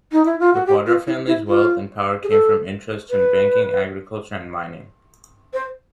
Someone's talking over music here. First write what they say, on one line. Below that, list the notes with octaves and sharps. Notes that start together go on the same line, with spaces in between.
The Cuadra family's wealth and power came from interests in banking, agriculture, and mining.
D#4
E4
F4
F#4
G4
F4
E4
E4
F4
G#4
A4
B4
C5